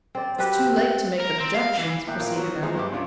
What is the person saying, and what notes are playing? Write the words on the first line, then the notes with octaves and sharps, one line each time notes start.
"It's too late to make objections," proceeded Allan.
C4 D5
C4 F#4 G4 B4
A#4
C4
F5
E3
A2 A#3 E5 G5 F#6
A#2 A#3 E4 F4
F3 F#3 B3 F#4
F3 G#3 D#4 E4 G#4 C5
G2 B3 G4 E5 D6
C2 C#3 D4 F4